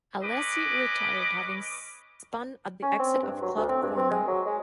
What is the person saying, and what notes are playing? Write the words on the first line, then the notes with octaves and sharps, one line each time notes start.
Alesi retired having spun at the exit of Club Corner.
C#4 B4 D#5 D6
C#4
C4
G2
F#3
D2
C4
G2
C4
G#3
F#3
G#3